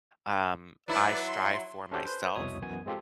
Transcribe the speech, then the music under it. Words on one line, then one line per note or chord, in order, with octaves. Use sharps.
um, I strive for myself.
F#3 E4 B4 D5
C6
C#4 D4 F#4 G4 A4 C5
B4 C5
C2 F2 B2 C#5 E5 D#6
F#2 E3 B3 G#5
G#3 C4 F4 G4 A4